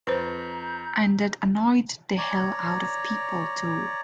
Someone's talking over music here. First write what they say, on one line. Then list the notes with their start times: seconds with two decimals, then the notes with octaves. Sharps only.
And that annoyed the hell out of people too.
0.07 F2 B4 C5 A#5 G6
2.18 C#5 D5 A#5